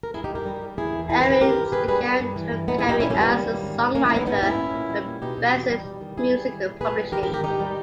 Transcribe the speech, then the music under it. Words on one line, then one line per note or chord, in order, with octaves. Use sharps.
Arends began her career as a songwriter at Benson Music Publishing.
A#4
G2 E4 G#4
D#4 G4
G2
G4 A#4
G3
G3
E2 E4 G#4
E2
D#3 E4 G#4
G#4 B4
D#3
G#4 B4
G2 G4 A#4
G2
G2 G#4 B4
G3 G#4 B4
G3
G2
E3
G2
A#2 B3 D#4
E4 G#4
A#2
D#4 G4
A#2 C#4 E4
A#3 C#4
G3
B3
D#3 A#3
G3
G#2
D#3
D#3 A#3 C#4
C#4 E4
G#2
B3 D#4
G#2 B3 D#4
G4
G#2 C#4 E4
A#2
A#2
G3
A#2
B2 D#4 G4
B2
E2
G3
G3
D#3
D#3 E4 G#4
G3
G3
A#2
A#2 G#4 B4
G3
D#3 G4 A#4
G4 A#4
G#2
G4 A#4
D#3 D#4 G4
G3